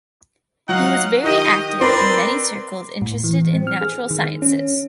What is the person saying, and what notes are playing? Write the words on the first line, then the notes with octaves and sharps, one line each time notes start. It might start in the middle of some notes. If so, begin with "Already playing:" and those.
He was very active in many circles interested in natural sciences.
F#3 D#4 F5 F#5
D#3 G4 D#5
C4 A#4 B4 D5 C6
A2
E3
C4
F6
G#4
D#3
C#4